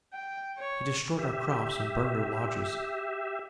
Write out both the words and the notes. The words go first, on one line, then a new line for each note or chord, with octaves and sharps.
He destroyed our crops, and burned our lodges.
G5
C#5
G4 E5